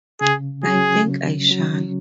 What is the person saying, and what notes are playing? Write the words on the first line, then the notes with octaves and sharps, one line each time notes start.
I think I shall.
C#3 G#4
F#3 C#4 G#4
C#3
F#3 C#4